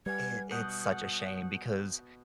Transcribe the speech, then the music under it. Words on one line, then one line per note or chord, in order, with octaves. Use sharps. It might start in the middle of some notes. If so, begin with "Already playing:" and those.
It it’s such a shame because,
G3 B4 F#5 G#5 G#6
B2 F#5 D#6 F#6 G6